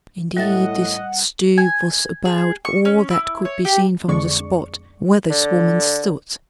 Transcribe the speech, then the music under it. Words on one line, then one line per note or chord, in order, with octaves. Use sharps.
Indeed, this stoop was about all that could be seen from the spot where this woman stood.
A2 G3 D#5 E5 F#5 A6
G#5
G#4
C#6
C#4
E4
C#5
G4
F2 D3 G#3 D5 C#6
D3